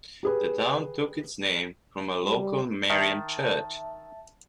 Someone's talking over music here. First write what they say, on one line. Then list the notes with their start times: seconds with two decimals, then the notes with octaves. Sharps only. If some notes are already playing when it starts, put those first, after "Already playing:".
The town took its name from a local Marian church.
0.23 G4 G#4 B4
2.23 G3
2.90 D#3 E5 A5